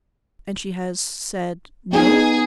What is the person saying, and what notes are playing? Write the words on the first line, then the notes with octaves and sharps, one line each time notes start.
"And she has said No?"
B3 D#4 G#4